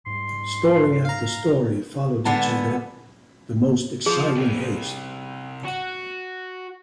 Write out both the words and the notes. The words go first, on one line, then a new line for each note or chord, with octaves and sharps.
Story after story followed each other with the most exciting haste.
G#2 G3 C6
F5 A#5
D3 G#3 B3 A5
F3 G#4
C3 G3
F#4